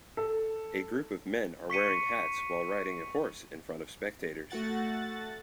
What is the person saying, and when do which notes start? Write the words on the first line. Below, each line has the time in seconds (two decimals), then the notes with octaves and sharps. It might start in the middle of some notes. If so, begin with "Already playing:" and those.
A group of men are wearing hats while riding a horse in front of spectators.
0.17 A4
1.70 C#6 B6 C#7 D#7
4.51 A3 F#4 F#5 A6